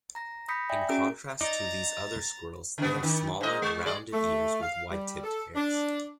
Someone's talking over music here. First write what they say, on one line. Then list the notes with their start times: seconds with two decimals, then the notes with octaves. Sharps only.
In contrast to these other squirrels, they have smaller rounded ears with white-tipped hairs.
0.15 A#5 A#6
0.48 B5 D#6 G6 A#6 B6 C#7
0.69 D5 E5 G5 G#5
0.89 C#4 F#4 G#4 A#4 A#5 D7
1.41 D#4 D5 D#5 A#5 A6
2.78 C#3 B3
3.03 D#3
3.41 G#2 D#5
3.62 G#3
3.86 G#3 D5
4.12 A3
4.61 F5
4.90 G3
5.23 A4
5.55 D4